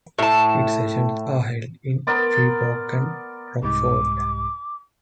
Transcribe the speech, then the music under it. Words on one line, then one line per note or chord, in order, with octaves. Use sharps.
Its sessions are held in Freeport and Rockford.
A2 A5
B3 A#4 D5 C6
C2 G#2 D6